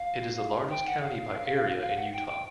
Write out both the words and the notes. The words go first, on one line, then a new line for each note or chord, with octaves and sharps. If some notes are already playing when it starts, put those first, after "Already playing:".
It is the largest county by area in Utah.
Already playing: F5
G5
F#5
F5
F5
F#5
G5
G5